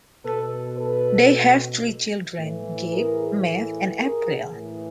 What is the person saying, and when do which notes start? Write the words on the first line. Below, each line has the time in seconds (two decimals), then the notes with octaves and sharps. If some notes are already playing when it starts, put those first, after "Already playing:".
They have three children: Gabe, Matt, and April.
0.24 B2 A4 B4
0.78 A4 B4
2.38 A2 E3
2.92 G#4 A#4
3.98 G#4 A#4
4.53 A2 E3